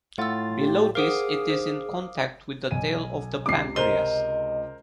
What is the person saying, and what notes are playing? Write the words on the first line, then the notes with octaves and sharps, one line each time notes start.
Below this it is in contact with the tail of the pancreas.
A2 F4 F#5 E6 A6
G4
G#4 A#4 C5 F5 F#5 D6 D#6
C5
B1 G#5 D#7
C#2 C3 D6 C7
A#4 C5 D#5 G7